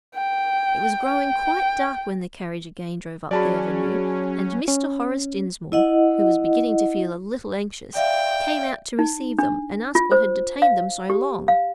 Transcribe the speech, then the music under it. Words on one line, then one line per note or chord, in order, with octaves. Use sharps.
It was growing quite dark when the carriage again drove up the avenue; and Mr. Horace Dinsmore, who was beginning to feel a little anxious, came out to receive them, and ask what had detained them so long.
G5
G5
F#3 C#4 F#4 G#4 D5 A5 B5
C#4
E4 D#5 F#5
D5 E5 F5 G5
D#4
D4
F4
C5
F5
G4
F5